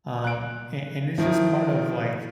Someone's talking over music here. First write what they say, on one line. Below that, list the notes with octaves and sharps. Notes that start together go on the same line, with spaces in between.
um, a and it's just part of, like,
F#6 D7
D#3 F3 E4